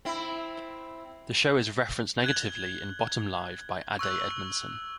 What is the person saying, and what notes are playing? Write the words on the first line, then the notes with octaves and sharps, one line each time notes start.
The show is referenced negatively in Bottom Live by Ade Edmondson.
C4 E4
F#6 G#6 F#7
C#6 E6 F#6 F#7